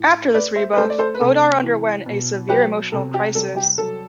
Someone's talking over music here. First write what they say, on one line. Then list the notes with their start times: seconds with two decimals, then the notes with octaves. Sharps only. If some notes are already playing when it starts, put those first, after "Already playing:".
After this rebuff, Poddar underwent a severe emotional crisis.
Already playing: A2
0.34 A3 B4 D5
0.56 C5 E5
0.73 B4
0.77 A3 A4 C5
0.90 D5
0.99 A4 C5
1.14 B4
1.21 C3 A4
1.63 E3
2.06 B2
2.49 F#3 G4 B4
2.92 C3 A4
3.14 G4
3.35 G3 A4
3.56 G4
3.78 F#3 A4